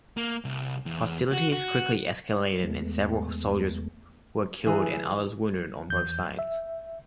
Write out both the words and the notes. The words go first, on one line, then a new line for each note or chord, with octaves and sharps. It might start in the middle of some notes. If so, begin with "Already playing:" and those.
Hostilities quickly escalated and several soldiers were killed and others wounded on both sides.
A#3
C2
E2
F#4
F#4
E2 G#3 A3 B3
E3 G#4
E2 G6
E5